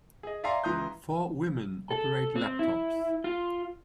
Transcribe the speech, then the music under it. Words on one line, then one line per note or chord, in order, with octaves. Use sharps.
Four women operate laptops.
G#4 D#5
D5 E5 F5 G#5 A#5 C6
C#2 E3 A#5 C6 D#6 G6
A4
C4
E4
F4